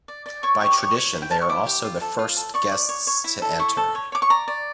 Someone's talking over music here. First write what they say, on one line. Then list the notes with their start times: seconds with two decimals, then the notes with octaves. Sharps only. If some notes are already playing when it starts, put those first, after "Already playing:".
By tradition they are also the first guests to enter.
0.08 D5
0.26 D5
0.43 C#5 C#6
0.61 G4 C#6
0.72 D6
0.78 C#5 C#6
0.96 C#5
1.13 E4
1.22 G5
1.31 A#4 A5
1.42 C#6
1.49 E4 D6
1.66 G4
1.84 F4
2.01 A4
2.19 F4
2.37 A4
2.54 D5 C#6
2.72 D5
2.89 C#5
3.07 C#5
3.24 E4
3.42 A4
3.59 E4 C#6
3.77 A4
3.95 C#5
4.12 C#5 D6
4.22 C#6
4.30 D5 A#5
4.48 D5